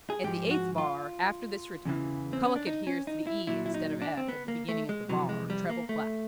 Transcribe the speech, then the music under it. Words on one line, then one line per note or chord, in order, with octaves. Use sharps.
At the eighth bar, after this return, Kullak adheres to the E instead of F at the beginning of the bar, treble clef.
G#4
G#2 F3 G4
F#4
F4
E2 C#3 E3
C4
C#4
D4
D#4
C#4
D#4
E4
A#2 F#3 E4
E4
D#4
D4
C4
B3
A#3
A3
G#3
F2 C3 E3 F#3
G#3
G3
A#3
A3